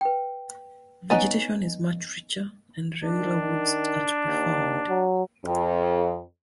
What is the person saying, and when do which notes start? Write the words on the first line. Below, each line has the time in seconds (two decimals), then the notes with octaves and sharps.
Vegetation is much richer, and regular woods are to be found.
0.01 B4 G5
1.10 B3 C#4 D#4 D#5 G#5
3.04 D#3 D4
4.26 D#2
4.89 F#3
5.44 F2